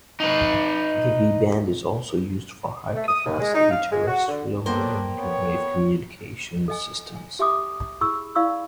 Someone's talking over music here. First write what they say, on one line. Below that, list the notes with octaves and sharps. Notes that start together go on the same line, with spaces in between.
The V band is also used for high capacity terrestrial millimeter wave communications systems.
D#4 B4
A3
D#6
D#2
G#3
D#4
F5
G#3
F#4
D3
D3 F#3 A#3 B3 D4 C5 G5
B3 C#5
A4 D#5 G#5
G#5
G4 E5 G#5 C6 D6 D#6
E4 G#4 B5 C#6 E6
E4 D5 F5 B5 C#6 E6